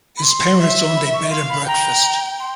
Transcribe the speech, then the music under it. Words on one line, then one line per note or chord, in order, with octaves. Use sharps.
His parents owned a bed-and-breakfast.
B5
C6
E5
B5
C#6
F5 C6
B5
G5 A#5
C6